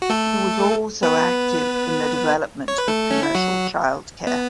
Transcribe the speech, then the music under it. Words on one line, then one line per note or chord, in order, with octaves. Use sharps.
She was also active in the development of commercial childcare.
F#4
A3 A4
B3 B4
C#5
B4
A3 A4
C#4
E4
F#3 F#4
B3